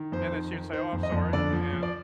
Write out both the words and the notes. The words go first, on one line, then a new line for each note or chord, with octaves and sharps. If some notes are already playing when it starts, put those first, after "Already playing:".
and then she would say, "Oh, I'm sorry," and
Already playing: D#3
F2 C5
D#3
D#3
D#3 C5
F2
D#5
F2
D3 D5
F3
F3
D5